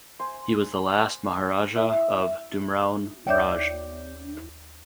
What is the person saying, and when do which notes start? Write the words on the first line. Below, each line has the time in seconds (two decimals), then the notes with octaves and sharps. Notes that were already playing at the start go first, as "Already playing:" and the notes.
He was the last Maharaja of Dumraon Raj.
0.19 C5 G#5
1.75 E4 E5
3.27 D#2 C#5 D5 E5 D6 G6